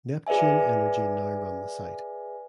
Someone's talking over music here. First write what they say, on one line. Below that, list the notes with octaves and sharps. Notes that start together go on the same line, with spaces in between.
Neptune Energy now run the site.
G#4 B4 D5 E5 G#5